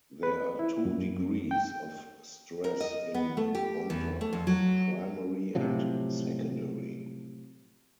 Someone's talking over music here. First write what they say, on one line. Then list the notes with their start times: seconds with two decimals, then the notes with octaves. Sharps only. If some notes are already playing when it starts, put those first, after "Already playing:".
There are two degrees of stress in Bontoc: primary and secondary.
0.23 B4
0.59 E4
0.85 F#2
1.51 G5
2.64 A#4
2.80 D#5
3.14 B3
3.37 A3
3.55 G4
3.90 E2
4.21 A3
4.33 F2
4.47 F#3
5.55 A2 C3 F3 F#3